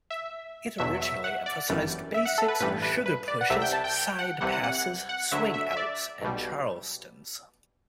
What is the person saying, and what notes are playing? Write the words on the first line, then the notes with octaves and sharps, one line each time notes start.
It originally emphasized basics, sugar pushes, side passes, swing outs, and Charlestons.
E5
E2 B2 F#3 E5
E5
F#5
D5
G1 F#2 E3 G3
E5
F#5
A4
B4
A1 G2 E3 G3 B4
B4
B4
D5
F#5
C2 C3 G3 E5
G5
A5
G5
G5
F#5
C2 C3 E3 G3 F#5
F#5
F#5
F#5
F#5
D2 D3 F#3 E5
E5
E5
D5
B1 B2 G3